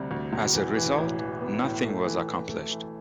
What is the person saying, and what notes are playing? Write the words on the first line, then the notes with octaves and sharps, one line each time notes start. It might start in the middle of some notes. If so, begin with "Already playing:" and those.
As a result, nothing was accomplished.
Already playing: D2 C3 G3
D2
E1
E3
E3
A1
E3
B3
A2
A3
E3
E3
A3
E3